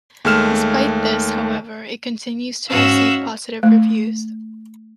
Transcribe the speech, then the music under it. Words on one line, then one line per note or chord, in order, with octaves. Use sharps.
Despite this, however, it continues to receive positive reviews.
D#2 G#3 A3 F6 E7
G#2 C#4 F#4 E5 F5 E6
A3